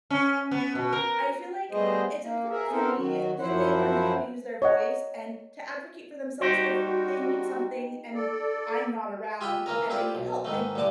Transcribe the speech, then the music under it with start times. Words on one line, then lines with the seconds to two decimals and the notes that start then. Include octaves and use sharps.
I feel like it's important for me that they learned how to use their voice and to advocate for themselves if they need something and I'm not around and they need help, and
0.10 C#4
0.51 B3
0.75 B2
0.93 A#4
1.71 G3 A3 B3 G#4 C5 D#5
2.22 A#3
2.50 G#4 A#4 E5
2.70 B3 C4 A4 A#4 C5
2.97 D#3 F#3 F#4
3.39 F#2 F3 F#3 E4 C5 F#5
4.62 C#5 D#5 F#5
6.41 G3 D#4 F#4 G4 C5
8.14 A4 D5
9.41 F4 G4 G#4 E5 F#5 G5
9.66 E3 A#3 C#4 A#4
9.90 C4 E4 F4 G4 D5
10.15 B1
10.45 G#2 D#3 E3 A3
10.75 A1 G2 D3 F#5 A5 D6